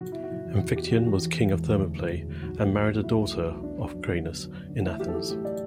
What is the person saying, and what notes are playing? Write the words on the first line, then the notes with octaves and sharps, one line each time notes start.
Amphictyon was king of Thermopylae and married a daughter of Cranaus of Athens.
F#1 F#4
B2 E4
F#4
F#1
E2
F#1 F#4
B2 G4
F#1 F#4
E2 F#4
E3
C#3
E1
D2
E3
C#3
E1
D2
B1 F#4
A3
B1
B2 F#4
B1 E4
A3
B1
B2
B3 D4
F#3
F#2
D3
B3
F#3
F#2
D3
A1 E4
F#3 G4
A4
A1 G4
A2 G4
D5